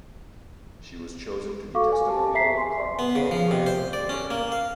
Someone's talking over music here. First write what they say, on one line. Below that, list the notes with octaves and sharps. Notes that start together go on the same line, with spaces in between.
She was chosen to be testimonial of "Cotton Club" brand underwear.
F#4 A4 F5 C#6 D6
G#5
G4 A5
E5 A#5 B6 C7
G#5 C6
B3
C#3
F3
C3
C5
D5
C#4
A#3
F5